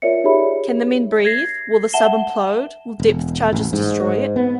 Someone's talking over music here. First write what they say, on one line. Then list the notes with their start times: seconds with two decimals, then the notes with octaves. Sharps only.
Can the men breathe, will the sub implode, will depth charges destroy it?
0.02 F4 A#4 C#5 D5 E5 C#7
0.24 D#4 G4 G#4 C#5 E5 B5
1.25 G#6 A#6 C7
1.93 E5 F#5 A5 E7 G7
3.00 E1
3.53 A1
3.73 G#2
4.36 B3